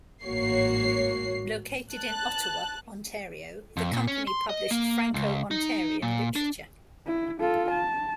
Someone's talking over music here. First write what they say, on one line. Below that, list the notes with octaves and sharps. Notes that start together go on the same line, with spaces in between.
Located in Ottawa, Ontario, the company published Franco-Ontarian literature.
A1 G#2 A#3 F#4 C#5 C7
A5 F#6
F2
A#2
C#4
C6
D#5
A#3
C#2
D#4
A#2
D4
E4
F4 A4
A5